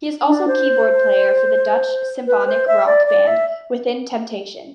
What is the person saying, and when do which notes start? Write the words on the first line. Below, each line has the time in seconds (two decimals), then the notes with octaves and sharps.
He is also keyboard player for the Dutch symphonic rock band Within Temptation.
0.27 D4
0.48 C5
2.27 B4
2.48 C5
2.67 E5
2.87 D5
3.07 D5
3.27 E5